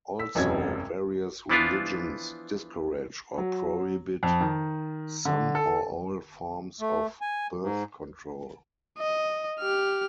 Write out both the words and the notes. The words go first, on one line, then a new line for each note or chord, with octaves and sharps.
Also, various religions discourage or prohibit some or all forms of birth control.
E6 B6
E1 A1 F#2 C3 F#3 G#6
E3 F3 B3 D4 E4 F4
F#3
F2
D#3
D3
A4
A3
G#5
G#2
D#5
G4 F6